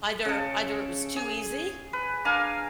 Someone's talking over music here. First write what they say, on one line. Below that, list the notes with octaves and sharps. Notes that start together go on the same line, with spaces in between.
Either either it was too easy,
C#3 A4
G#4
B4
D4 A#4 F5 G#5